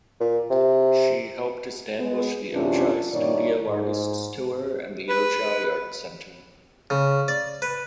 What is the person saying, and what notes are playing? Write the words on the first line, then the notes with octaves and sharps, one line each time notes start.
She helped establish the Ojai Studio Artists Tour and the Ojai Art Center.
A#2
C3
G#3 B3
F#2 C3 E3 C#4 D4 F4
G2 A#2 D#3 E4 C#5 D5
G#2
B4
C#3
D5
B4